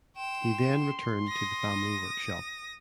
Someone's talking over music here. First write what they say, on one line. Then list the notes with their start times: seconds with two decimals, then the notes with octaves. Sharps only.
He then returned to the family workshop.
0.17 G5 C6 E7
1.28 D#6 A#6